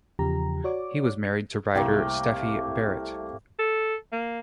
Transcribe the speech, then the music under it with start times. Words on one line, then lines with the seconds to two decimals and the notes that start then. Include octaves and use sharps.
He was married to writer Steffi Barrett.
0.19 E2 C#3 F3 G4 A#5
0.64 F#4 C#5 D5 D6
1.75 C2 C3 A3 A#3 G5
3.59 A4
4.12 A#3